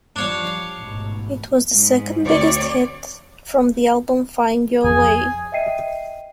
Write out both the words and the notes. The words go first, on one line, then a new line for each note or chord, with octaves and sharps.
It was the second biggest hit from the album "Find Your Way".
F3 G3 D4 C#5 F5
A1 G#2 B2
G#2
D2 C4 C#5 D5
F2 F3 G#4
D#5 E5 G5 C7 D#7